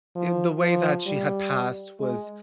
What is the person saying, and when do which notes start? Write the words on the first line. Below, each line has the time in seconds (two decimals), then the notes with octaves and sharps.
it the way that she had passed was
0.15 F3
0.61 F3
1.07 G3
2.00 G#3